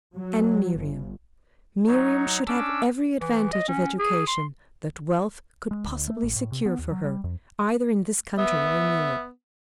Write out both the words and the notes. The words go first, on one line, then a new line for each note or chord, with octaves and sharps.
And Miriam--Miriam should have every advantage of education that wealth could possibly secure for her, either in this country or in Europe.
F#3
G1
F#3 D#4 C#5
C#4 D4 D6 E6
E3
D#5
C#4
G#4
C6
G#3
D2
A3
A1
A2
C3
B3
D#2
F#3
G3
F2
B3 E5